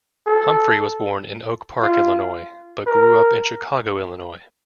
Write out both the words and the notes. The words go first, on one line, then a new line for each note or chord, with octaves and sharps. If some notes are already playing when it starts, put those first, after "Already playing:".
Humphrey was born in Oak Park, Illinois, but grew up in Chicago, Illinois.
A4
F4
A#4